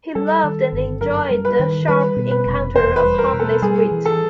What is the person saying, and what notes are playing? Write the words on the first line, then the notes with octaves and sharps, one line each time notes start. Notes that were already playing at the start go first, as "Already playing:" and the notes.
He loved and enjoyed the sharp encounter of harmless wit.
G3 A4
D#3
G1
F#2 A#4
G3
B4
D#3
G3 B4
B2
B4
F1
E2 C5
B4
G3
A#4
B2
A4
G3 G#4
E3
A4